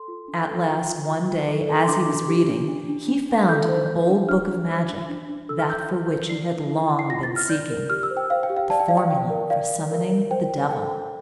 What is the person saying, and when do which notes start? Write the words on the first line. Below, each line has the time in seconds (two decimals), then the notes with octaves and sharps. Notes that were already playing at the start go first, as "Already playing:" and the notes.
At last one day, as he was reading, he found in an old book of magic that for which he had long been seeking--the formula for summoning the devil.
Already playing: A4 C6
0.08 F4
0.28 D4
0.47 A4
0.68 F4
0.88 F4
1.08 F4
1.28 F4
1.48 A4
1.68 A4
1.84 C6
1.88 D4 D6
2.08 D4
2.28 G4
2.48 D4
2.69 D4
2.89 D4
3.08 D4
3.29 D4
3.49 A4 G6
3.69 C5
3.89 C5
4.09 D4
4.29 D4 F6
4.49 F4
4.69 C5
4.89 D4
5.09 D4
5.29 D4
5.49 A4 E6
5.59 F6
5.69 D4 G6
5.80 G6
5.90 C5
6.10 C5
6.30 D5 C7
6.50 E4
6.70 E4
6.90 E4
6.99 C7
7.10 F4 A#6
7.23 A6
7.30 F4
7.36 F6
7.50 D5 G6
7.70 A#4
7.90 G4 F6
8.03 E6
8.11 C5
8.17 G5
8.30 C5 F5
8.43 G5
8.50 G4
8.56 F5
8.70 D5 A5
8.80 G5
8.88 D5 F5
8.97 G5
9.11 D5
9.30 A#4
9.50 D5 F5
9.70 D5
9.91 A#4
10.11 A#4
10.31 C5 G5
10.50 C5
10.71 A4 G5